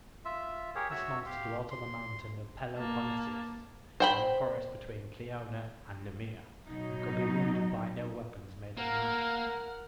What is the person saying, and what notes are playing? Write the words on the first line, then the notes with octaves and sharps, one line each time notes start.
This monster dwelt on the mountain of Peloponnesus, in the forest between Kleona and Nemea, and could be wounded by no weapons made of man.
F4 E5
G4 G#4 A#4 C#5
F#4 C#5 E5 E6
G4 F5 C6
C6
A#3 A5
C5 G5 B5
B2 F#3 D#4
A#3 A#4 F#5 F6